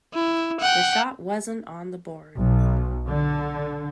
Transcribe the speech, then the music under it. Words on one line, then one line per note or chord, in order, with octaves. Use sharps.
The shot wasn't on the board.
E4
F#5 G5
B1
D3